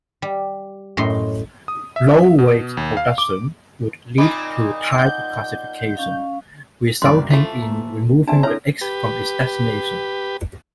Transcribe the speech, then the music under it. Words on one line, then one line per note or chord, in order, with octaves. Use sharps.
Low-rate production would lead to type-classification, resulting in removing the "X" from its designation.
G3
F#2 A2 D#5 C6
D#6
E5
B2
D#2
F5
D6
A#2 C4 D#4 D#5 B5 D6
F#5 G6
C#4 F5
F#1 C2 F#2 B4 D5 C6
E3 F3 A3 A4 B6
A#3
C4 D4 G#4 C5 D5 E5 A5
D3 E4 A4 C#5 E5 A#5 F6
G4 B4